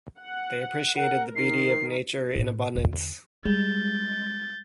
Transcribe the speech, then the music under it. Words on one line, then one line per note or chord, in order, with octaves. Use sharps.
They appreciated the beauty of nature in abundance.
F#5
A#4 F#5
D#3 A#4 C7
A2 E4
E2 D3
G3 G#3 G6 A6